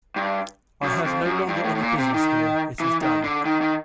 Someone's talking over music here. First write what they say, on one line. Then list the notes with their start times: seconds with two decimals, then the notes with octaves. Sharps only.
I have no longer any business here; it is done.
0.16 G2
0.83 F#2
1.04 F2
1.25 F#2
1.48 G2
1.64 A2
1.75 A2
1.81 A#2
1.98 C3
2.14 D#3
2.80 E3
3.02 D#3
3.24 D3
3.45 D#3
3.61 D#3